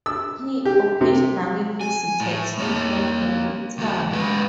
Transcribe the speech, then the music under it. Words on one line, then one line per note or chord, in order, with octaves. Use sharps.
He occasionally visited Switzerland and Italy.
E6
G4
C3
G#5
A2
A#3 C#5
D#2 A3
G#2 B4